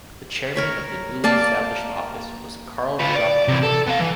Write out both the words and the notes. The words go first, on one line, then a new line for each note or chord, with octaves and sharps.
The Chairman of the newly established office was Karl Rudolf Jacobi.
A#4 C#5 B5
A#3 D5 A5
F4 B4
D5
C3 E3
A4
B3 F5
E3